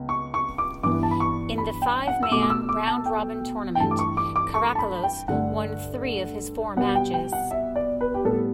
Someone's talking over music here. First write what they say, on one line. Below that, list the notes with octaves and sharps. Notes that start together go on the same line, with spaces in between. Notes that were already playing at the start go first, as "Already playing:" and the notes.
In the five-man, round-robin tournament, Karakalos won three of his four matches.
Already playing: C#2 B3
C#6
C#6
D6
G2 E3 B3 D6
A5
B5
C#6
B5
G5
F#5
E6
B2 A3 D6
D6
E6
D6
A5
G5
G5
G2 E3 A3 A5
D6
C#6
D6
D6
C#6
A5
B5
G5
G2 D3 A3 F#5
B2 G3 B3 F#5
G5
G5
F#5
E5
D5
B4
G4
A2 G3 B3 A4